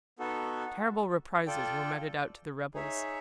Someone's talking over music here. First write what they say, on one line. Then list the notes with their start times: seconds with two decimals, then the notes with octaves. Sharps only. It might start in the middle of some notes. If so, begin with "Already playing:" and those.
Terrible reprisals were meted out to the rebels.
0.19 B3 D#4 F#4 A4
1.47 F4 A4 D5 G5
2.74 D#4 G#4 C#5 E5